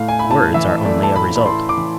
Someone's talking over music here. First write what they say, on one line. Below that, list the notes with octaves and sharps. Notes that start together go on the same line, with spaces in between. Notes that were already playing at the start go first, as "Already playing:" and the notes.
Words are only a result.
Already playing: A2 A3 F5
G#5
E4 B5
A5
E3 E5
A3 D5
A5
A2 B5
B5
E4 C6
D6
E3